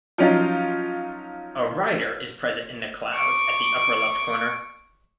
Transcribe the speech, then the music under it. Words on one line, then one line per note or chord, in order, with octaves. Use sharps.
A rider is present in the clouds at the upper left corner.
F3 F#3 C#4 D#4 F4
C#6 D6